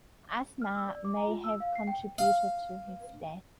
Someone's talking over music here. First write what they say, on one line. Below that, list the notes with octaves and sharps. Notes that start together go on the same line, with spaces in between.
Asthma may have contributed to his death.
F6
E6
D5
D6
A#5
F4
E6
F5
C7
G5
F5